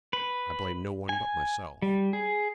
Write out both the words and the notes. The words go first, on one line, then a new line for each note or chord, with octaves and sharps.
I blame no one but myself.
B4
G#5
G3
G#4